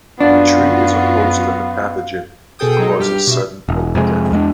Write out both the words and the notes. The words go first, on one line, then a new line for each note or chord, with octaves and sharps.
The tree is a host of the pathogen that causes sudden oak death.
F#2 B3 D4 F4 F#4 F5
B2 G#4 A4 G5 D#6
F#3 G#3 D#4
G2 G4 F6
B2 E5
E1
F2 C3 G#3
E2 G#3 A#3 D4